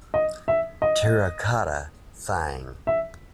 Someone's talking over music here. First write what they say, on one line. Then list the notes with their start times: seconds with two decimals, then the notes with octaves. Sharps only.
Terracotta Sighing.
0.14 D#5
0.48 E5
0.82 D#5
2.87 E5